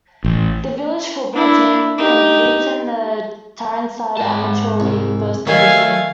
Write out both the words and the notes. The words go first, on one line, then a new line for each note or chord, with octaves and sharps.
The village football team competes in the Tyneside Amateur League First Division.
A1
D4 E4
D#4 G4
G#2 A5
C2
D#3 F#3 A3 F5 G#5